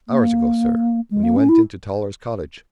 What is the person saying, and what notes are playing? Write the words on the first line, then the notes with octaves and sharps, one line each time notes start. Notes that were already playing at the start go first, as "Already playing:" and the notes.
"Hours ago, sir--when you went into Toller's cottage."
A#3
G#3
A#3
C#4
E4